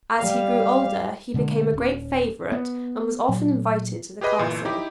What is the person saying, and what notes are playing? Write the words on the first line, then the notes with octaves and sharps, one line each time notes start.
As he grew older he became a great favorite and was often invited to the castle.
G3 F5
B2 D3 G#3
D#1 C#4
B3
A#2 F#3
G4 G#4 B4 D#5 B5
G1 A#2 E3
D#4 E4 G4